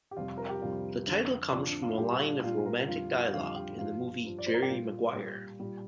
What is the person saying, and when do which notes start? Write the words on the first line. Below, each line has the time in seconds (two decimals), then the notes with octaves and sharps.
The title comes from a line of romantic dialogue in the movie "Jerry Maguire".
0.11 G4
0.17 F2 C3 G3 F4
0.38 A#4
0.49 G4
0.62 F2 C3 G3 F4
1.07 F2 D3 F3
1.52 F2 D3 F3 D4
1.67 D4
1.82 F4
1.97 A#2 G3 G4
2.13 F4
2.28 D4
2.43 A#2 G3 F4
2.66 A#4
2.88 F2 D3 G3 F4
3.11 F4
3.33 F2 D3 G3 F4
3.56 G4
3.78 G2 F3 F4
4.24 G2 F3
4.39 D5
4.46 C5
4.54 A#4
4.62 G4
4.70 A#2 G3 F4
5.15 A#2 G3
5.60 A#2 G3